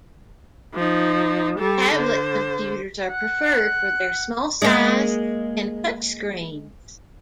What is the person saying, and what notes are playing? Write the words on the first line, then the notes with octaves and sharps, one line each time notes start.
Tablet computers are preferred for their small size and touchscreens.
F3 D#4
G3 A4
D3 C5
F#5
G#3 A#3